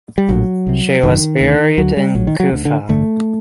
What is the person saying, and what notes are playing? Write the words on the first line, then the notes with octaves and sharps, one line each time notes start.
She was buried in Kufa.
G3
A#1 A2 F#3
C2 C3
F#1 F#2 D3 D#3
D2 C3
D2 D3 F#3
G3
A#1 A2 F#3
D#3
F#3
D2 D3
D3
A1 G2 D3 A3